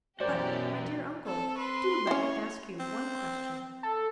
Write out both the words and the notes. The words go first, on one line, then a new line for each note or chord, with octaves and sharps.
"But, my dear uncle, do let me ask you one question."
F#2 B2 E3 F#4 G4 A#4 C5 D5
C4 A4
B4 C6
C#4 E4 C#5
C4
A4